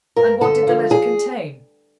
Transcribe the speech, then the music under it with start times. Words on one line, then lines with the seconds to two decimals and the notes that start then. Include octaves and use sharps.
"And what did the letter contain?"
0.16 G2 A#4
0.41 D3 A4
0.67 F3
0.91 G#4